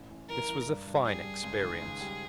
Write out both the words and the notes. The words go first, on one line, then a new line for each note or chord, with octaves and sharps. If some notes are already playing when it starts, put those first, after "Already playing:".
This was a fine experience.
Already playing: A1
A1
E3 A#4
E3
G2
G2
G3 G#4
G2
C#2
D#3
C#2
G3